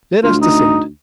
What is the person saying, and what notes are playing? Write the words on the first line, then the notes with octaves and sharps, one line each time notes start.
Let us descend.
D2 F4
D#4